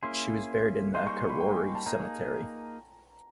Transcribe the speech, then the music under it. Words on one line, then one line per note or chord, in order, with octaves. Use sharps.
She was buried in the Karori Cemetery.
A#3 C#4 E4 G#4 C6
G3 A#3 D#4 G#4 C5 C6
C#6
C6
B5
G5
G#5
A5
A#3 D#4 G#4 A#5